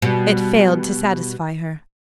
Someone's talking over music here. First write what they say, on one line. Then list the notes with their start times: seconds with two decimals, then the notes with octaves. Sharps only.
It failed to satisfy her.
0.02 B2 G3